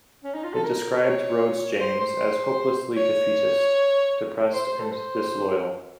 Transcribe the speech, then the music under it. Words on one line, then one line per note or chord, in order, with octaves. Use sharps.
It described Rhodes James as "hopelessly defeatist, depressed and disloyal".
C#4
D#4
F4
A4
A#4
C#5
C5
C5
C#5
C5
C5
A4
C5